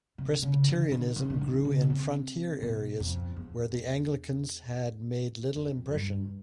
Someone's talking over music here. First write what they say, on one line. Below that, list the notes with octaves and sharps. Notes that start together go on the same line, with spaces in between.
Presbyterianism grew in frontier areas where the Anglicans had made little impression.
C3
C#3
D3
D#3
D#3
D3
D#3
C#3
C#3
C3
B2
F2
E2
F2
F#2
G2